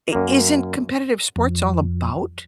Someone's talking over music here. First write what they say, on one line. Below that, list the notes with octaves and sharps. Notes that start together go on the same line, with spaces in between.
I Isn't competitive sports all about
F#2 A#3
F2